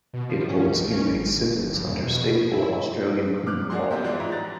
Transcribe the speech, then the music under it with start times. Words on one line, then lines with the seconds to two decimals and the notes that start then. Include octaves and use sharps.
It holds inmates sentenced under State or Australian criminal law.
0.13 B2
0.29 F3
0.49 C#4
0.67 C#2
0.91 C#4
1.09 G#1
1.46 D1
1.72 G2
1.86 E2
2.03 B2
2.52 E4
3.47 D6 F6 F#6
3.70 D2 A#3 D4 F#4 G#4 C6
3.91 B3 C4 F#4 G4
4.04 E3 G3 G#3 D4 E4 F#4
4.20 G#2 F3
4.32 A#5 F#6 A6